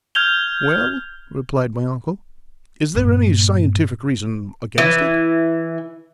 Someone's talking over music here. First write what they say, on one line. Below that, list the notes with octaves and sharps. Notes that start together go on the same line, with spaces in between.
"Well," replied my uncle, "is there any scientific reason against it?"
F6 G6 G#6 F7 G7
G2 A#2
E3